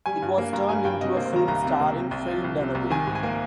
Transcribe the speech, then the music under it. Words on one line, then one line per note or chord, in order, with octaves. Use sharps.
It was turned into a film starring Faye Dunaway.
G3 G#5
G2
A#3
G2 A#5
G3 G#5
G2 G5
C3 D#5
C5
A#3
C5
D#3 A#5
C2 A#5
C3
A#3
C3
C2
F3
C2
C3
C2
D#3 G#5
G#2
G#5
A#3